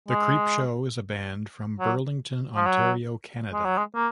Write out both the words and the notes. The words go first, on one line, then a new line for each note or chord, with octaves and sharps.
The Creepshow is a band from Burlington, Ontario, Canada.
G#3
F#3
F3
F#3
G#3
F#3
G#3
A#3